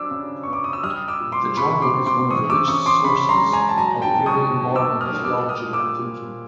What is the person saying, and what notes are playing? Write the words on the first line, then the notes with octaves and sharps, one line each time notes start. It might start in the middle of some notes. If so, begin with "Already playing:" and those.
The "Journal" is one of the richest sources of early Mormon theology and thinking.
Already playing: F#3 D4 D6 E6
C#3
B3 C#6
D6
D#6
E6
G3 D#6 F6
D6 E6
A#2
C6 D6
A#2 B5 C#6
C6 D6
C4
C6 D6
E3 C#6 D#6
D6 E6
C#3 C#6 D#6
C6 D6
C#3 B5 C#6
A#5 C6
G#3
G#5 A#5
A5
F#3 G#5 A#5
G5 A5
B2
C#6 D#6
B2
D6 E6
A#3
D#6 F6
G3 D6 E6
D#6 F6
A#2
D6 E6
A#2